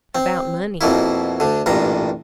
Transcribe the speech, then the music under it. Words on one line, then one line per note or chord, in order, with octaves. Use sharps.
"About money."
C4
F2 B2 A#3 E4
D2 D3
A1 G2 A#2 A#5